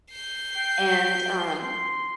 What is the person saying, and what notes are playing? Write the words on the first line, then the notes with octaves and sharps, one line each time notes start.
and, um,
G6 C7
G5
C6